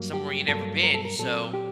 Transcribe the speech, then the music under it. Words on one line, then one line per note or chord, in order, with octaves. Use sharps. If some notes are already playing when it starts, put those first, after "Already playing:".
somewhere you never been, so
Already playing: G2 F#3 A#3
G4
G2 F#3 A#3 A4
A#4
A4
A#4
A#2 F#3 C4 A4
G4